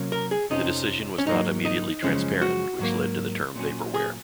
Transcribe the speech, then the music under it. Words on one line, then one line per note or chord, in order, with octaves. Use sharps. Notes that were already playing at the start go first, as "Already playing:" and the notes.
The decision was not immediately transparent, which led to the term vaporware.
Already playing: C3 F#3 A#3 C#4
A#4
G#4
F2 C3 F3 A#3 C#4 D#4
C#4
G#2 F#3 A#3 D#4
D#4
F#2 C#3 F3 G#3 C#4
F#4
G#2 F#3 A#3
A#2 F#3 C#4
G#4